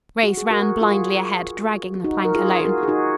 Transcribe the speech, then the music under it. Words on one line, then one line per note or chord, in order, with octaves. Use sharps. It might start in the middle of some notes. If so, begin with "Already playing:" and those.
Grace ran blindly ahead, dragging the plank alone.
F#4
G#4
F#4 A#4
F4 G#4
D#4 F#4
A#4
F4 G#4
G#4
F#4 A#4
G#4
D#4 F#4